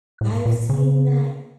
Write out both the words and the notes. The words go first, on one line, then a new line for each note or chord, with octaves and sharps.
I've seen that.
A2
A#2
C#3